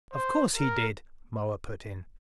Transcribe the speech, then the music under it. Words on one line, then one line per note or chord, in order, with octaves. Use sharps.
"Of course he did," Moa put in.
C5
A#4